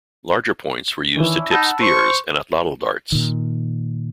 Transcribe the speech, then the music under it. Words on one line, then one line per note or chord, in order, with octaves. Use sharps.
Larger points were used to tip spears and atlatl darts.
D#3 E3 C#4 D4 E4
D#4 F#5 A5 B5 E6
C5 C#6
A#2 D#3